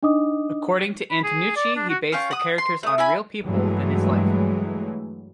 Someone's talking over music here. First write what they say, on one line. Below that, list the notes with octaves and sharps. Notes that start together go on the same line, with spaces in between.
According to Antonucci, he based the characters on real people in his life.
D4 D#4 D#5 D6 D#6
B5
G#4
D5
D4
F#4
C#4 F4 G5 C#6
F#5 D#6
C6
A3 D#6
E4 G#5 B5
G2 E3 F#3 G#3 A3